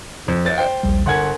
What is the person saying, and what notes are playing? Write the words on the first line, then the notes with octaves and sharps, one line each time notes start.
with that.
F2
A6
C5 G5
A#1 D#2 G3
G1 A#4 F#5 G#5 C6 G#6